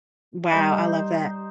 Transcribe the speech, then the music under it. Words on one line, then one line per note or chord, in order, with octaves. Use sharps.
wow, I love that.
G3 D#4 C5